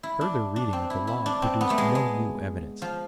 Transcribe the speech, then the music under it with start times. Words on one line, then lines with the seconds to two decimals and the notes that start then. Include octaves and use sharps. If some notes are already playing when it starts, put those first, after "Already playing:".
Further reading of the log produced no new evidence.
0.03 E4
0.21 D4
0.56 D4
0.73 C4
0.90 E4
1.07 E4
1.26 D4
1.42 C4
1.61 B3
1.70 A3
1.78 G#3
1.95 G#3
2.82 F3